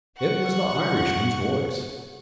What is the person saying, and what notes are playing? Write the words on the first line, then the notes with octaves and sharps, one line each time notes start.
It was the Irishman's voice.
F#5 C#6